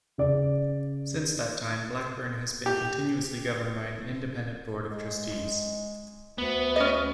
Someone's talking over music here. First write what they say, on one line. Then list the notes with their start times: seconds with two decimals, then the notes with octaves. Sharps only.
Since that time, Blackburn has been continuously governed by an independent Board of Trustees.
0.18 C#3 D5
2.66 G4
4.89 G#3
6.38 D2 B3
6.76 C#4 D#5